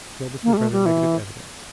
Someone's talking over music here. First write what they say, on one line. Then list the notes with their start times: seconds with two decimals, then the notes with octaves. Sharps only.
Still this was rather negative evidence.
0.43 A#3
0.53 G3
0.57 A3
0.72 G3
0.86 E3